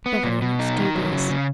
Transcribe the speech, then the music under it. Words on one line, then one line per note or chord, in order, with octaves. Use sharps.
Beverly looked dubious.
B3
A#2
B2
D#4
D#3
F#3
C#3
C#3